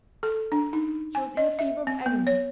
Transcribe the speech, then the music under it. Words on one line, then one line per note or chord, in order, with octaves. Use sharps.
She was in a fever of agony.
A4
D4
D#4
G#5
D#5
E5
C4
B3
C#5